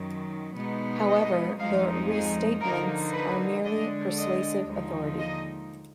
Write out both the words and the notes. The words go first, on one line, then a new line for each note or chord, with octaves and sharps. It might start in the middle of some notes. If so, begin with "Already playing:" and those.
However, the Restatements are merely persuasive authority.
Already playing: F#2 D#3 F#3
B2 G#3 B3 D#4
D#5
F2 F3 G#3 D#4 F5
G#4
D3 F3 A#3 D#4 A#4
B4
D3 G#3 D4 D#5
D#5
D#2 D3 F3 G#3 D#4
D#5